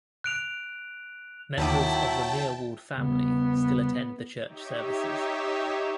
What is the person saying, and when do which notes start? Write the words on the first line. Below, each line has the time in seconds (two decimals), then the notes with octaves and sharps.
Members of the Meerwald family still attend the church services.
0.24 F#6 D7 F7
1.57 D#2 D#3 F#3 E4 G5 A5 D6
2.98 C#3 G3 B3
4.43 D#4 G4 C#5 E5